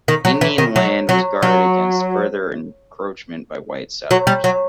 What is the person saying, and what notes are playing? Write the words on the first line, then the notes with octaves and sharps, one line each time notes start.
Indian land was guarded against further encroachment by white settlers.
D#3
F#3
E3
D#3
F#3
F#3
F#3
F#3
G3
F#3